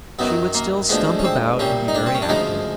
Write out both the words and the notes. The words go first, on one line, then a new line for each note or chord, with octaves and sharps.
She would still stump about and be very active.
F#2 D#3 F#3 B3
A#3
D2 D3 F3 G#3 B3
C#4
C4
C2 A#2 G3 C#4
D#4
D4
C4
C#4
D4
D2 C#3 F3 G#3 D#4